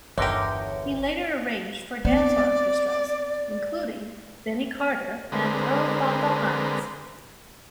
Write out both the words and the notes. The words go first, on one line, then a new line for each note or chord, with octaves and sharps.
He later arranged for dance orchestras, including Benny Carter and Earl "Fatha" Hines.
G1 E2 D3 D#4 G4 A#4 C#5
B3 C4 D5
D3 G#3 C4 A#4 B4